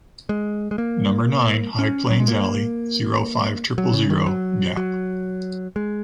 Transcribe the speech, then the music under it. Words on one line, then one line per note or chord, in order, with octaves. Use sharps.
Number nine, High Plains alley, zero-five triple zero, Gap.
G#3
G#3
A#3
C#4
F#3
G#3
A#3
F#3
C#3
D#3
F#3
F#3
G#3